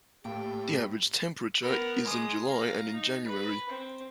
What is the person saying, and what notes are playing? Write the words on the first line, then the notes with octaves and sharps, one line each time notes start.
The average temperature is in July and in January.
A2 A#3 G4 G5
B3 A#4
G#3 D#6
F5 A#5
D#4
B4
C4